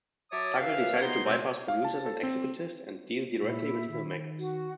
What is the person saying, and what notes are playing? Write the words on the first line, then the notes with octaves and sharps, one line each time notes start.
Tuggle decided to bypass producers and executives and deal directly with filmmakers.
F#3 C#5 E5 A5 D6 D#6
F#2 B4 E5 F5
B3 D#4 C6
D#2 B2 A3 C4
F5
A5
A4
C4
A#2 E4
D#3
F#4